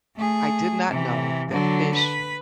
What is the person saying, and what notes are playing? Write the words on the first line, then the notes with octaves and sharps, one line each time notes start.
I did not know that fish
A3 G#4
C3 E3
D3 F#3
B4